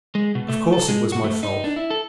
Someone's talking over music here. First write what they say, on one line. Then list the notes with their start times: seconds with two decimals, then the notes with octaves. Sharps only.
Of course it was my fault.
0.15 G#3
0.35 B2
0.49 A3
0.72 A4
0.88 G#3
1.12 F#4
1.24 A3
1.43 D#4
1.64 D4
1.76 E4
1.90 A4